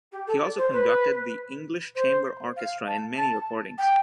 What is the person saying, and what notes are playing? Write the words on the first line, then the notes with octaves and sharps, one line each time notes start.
He also conducted the English Chamber Orchestra in many recordings.
G4
A4
D5
C5
B4
C5
F5
A5
A5
G5